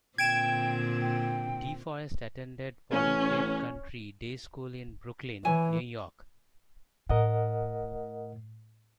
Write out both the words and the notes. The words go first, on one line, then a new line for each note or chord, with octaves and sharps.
DeForest attended Poly Prep Country Day School in Brooklyn, New York.
A#2 D3 C4 G5 G#6 D7 E7
G5
A1 C#4
E3 E4 C#5 G#5
A2 A#4 D#5 F#5